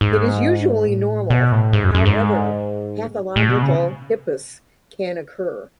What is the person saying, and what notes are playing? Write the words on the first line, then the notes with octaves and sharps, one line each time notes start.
It is usually normal, however pathological hippus can occur.
G#2
A2
B2
A2
G#2
F#2
F#2
G#2
A2
B2
C#3